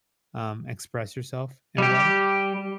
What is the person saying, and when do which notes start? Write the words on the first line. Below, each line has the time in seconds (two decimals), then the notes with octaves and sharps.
um, express yourself in a way.
1.78 G3 G4